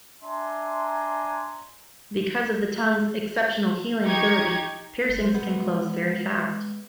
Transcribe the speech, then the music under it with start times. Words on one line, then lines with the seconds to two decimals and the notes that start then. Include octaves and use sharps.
Because of the tongue's exceptional healing ability, piercings can close very fast.
0.23 D4 E5 G#5 A#5 C6
4.03 D#4 G4 A#5 C#6 G#6
5.09 G1
5.22 F#3 C5
5.34 G#3 B3